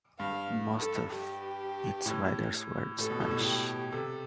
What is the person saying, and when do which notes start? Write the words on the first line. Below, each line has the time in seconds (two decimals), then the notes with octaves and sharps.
Most of its riders were Spanish.
0.19 G2 F5
0.81 A4
1.12 G4
2.06 A2
2.98 A2 A4
3.10 B2
3.20 A2
3.31 B2
3.41 A2
3.46 G4
3.92 C3 A4